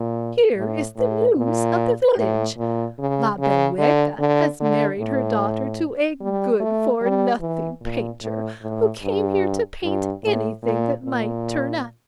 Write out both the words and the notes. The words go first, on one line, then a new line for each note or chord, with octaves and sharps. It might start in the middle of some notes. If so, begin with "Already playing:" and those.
Here is the news of the village; La Berrueca has married her daughter to a good-for-nothing painter, who came here to paint anything that might turn up.
Already playing: A#2
A2
A2
A#2
A2
A#2
C#3
C#3
D3
D3
D3
A2
G3
A3
G3
E3
A#2
A2
A2
G2
G2
A2
A#2
A#2